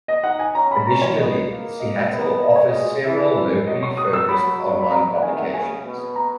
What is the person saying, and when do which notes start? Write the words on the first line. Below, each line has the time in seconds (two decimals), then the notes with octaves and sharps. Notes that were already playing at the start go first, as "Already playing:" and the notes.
Additionally, Seattle offers several locally focused online publications.
0.08 D#5
0.24 D#4 F#5
0.39 G#5
0.55 C#4 A#5
0.71 B5
0.86 C#4 A#5
1.02 C#5
1.17 B3 D#5
1.48 A#3
1.80 D#5
2.11 B3
2.42 D#5
2.56 C#5
2.68 G#3 D#5
3.04 E3 E5
3.67 F#3 D#5
3.83 C#6
3.97 D#6
4.13 E6
4.29 F#3 B5
4.79 B5
4.91 A#5
5.15 F#5
5.22 D#3 G#5
5.33 E5
5.38 F#5
5.53 C#3 G#5
5.85 B2
6.16 A#5